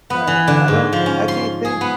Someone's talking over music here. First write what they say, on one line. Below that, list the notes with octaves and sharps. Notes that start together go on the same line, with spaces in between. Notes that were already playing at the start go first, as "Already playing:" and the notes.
Right, I don't I can't think
B3
E3
D3
G#2
F3
C#4
C6
G#4
B3